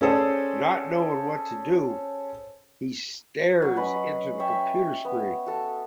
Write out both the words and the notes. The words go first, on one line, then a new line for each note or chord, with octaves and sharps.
Not knowing what to do, he stares into the computer screen.
C#4 G#4 A4 C5 D5
F#3
C#4 B4 D#5 B5
C#5 E5 G5 C#6
B3
F#4 A4